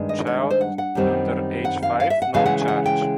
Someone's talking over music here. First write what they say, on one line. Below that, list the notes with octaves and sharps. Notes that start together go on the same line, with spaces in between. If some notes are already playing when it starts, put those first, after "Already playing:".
Child under age five: no charge.
Already playing: G2 D#3 G#3
D#5
C#5
C5
F#5
F#5
F#2 D#3 G3 C4
F#5
F5
F5
E5
F#5
C#3 E3 G#3 C#4 F5
F#5
F#5
G5